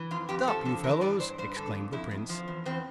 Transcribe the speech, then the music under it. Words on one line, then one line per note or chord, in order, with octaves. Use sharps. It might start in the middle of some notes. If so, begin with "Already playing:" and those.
"Stop, you fellows!" exclaimed the prince.
Already playing: E3
F2 F4
F2 G4
F3 A4
D3 A4
E3 A#4
G2 D5
G2 C5
G2 C5
D3 A4
F2
F2 E4
F2
F3
E2
E2 C4